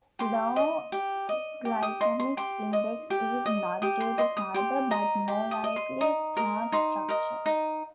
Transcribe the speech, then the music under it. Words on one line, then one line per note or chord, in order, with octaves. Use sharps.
Low glycemic index is not due to fiber but more likely starch structure.
G4 C6
D#5
G4
D#5
G4
D#6
D#5 C6
C6
G4 C6
D#5
G4
D#5
G4 D#6
C6
D#5 C6
D#6
G4 C6
D#5 A#5
G4 C6
D#6
D#5
C6
D#4 D#6
A#4 D#5
D#4 C6
A#4 D#5
D#4